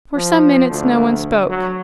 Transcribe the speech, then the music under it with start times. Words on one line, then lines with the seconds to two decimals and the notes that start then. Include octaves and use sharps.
For some minutes no one spoke.
0.15 F3
0.70 D2
1.49 F#3